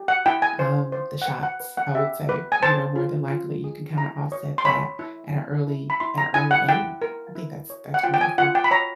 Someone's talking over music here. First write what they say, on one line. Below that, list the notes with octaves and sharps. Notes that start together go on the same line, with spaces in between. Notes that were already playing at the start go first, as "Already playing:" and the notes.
um, the shots, I would say. You know, more than likely, you can kinda offset that at a early at a early age. I think that's that's wonderful.
Already playing: G4
F#5
E4 G5
G#5
C5
C5
F#5
B4 G5
F#5
B4
F#5
G4 E5
B4
G#5
C5 A5
F4
F4
G#4
E4 A#5
C#5
C6
C#5 B5
E4
E4
E4
B5
E4 C6
A#5
E4 G#5
F#5
E4 G5
A#4
E4
C#5
F#5
F4 G5
G5
G#5
F4 F#5
G5
B5
C#5 A#5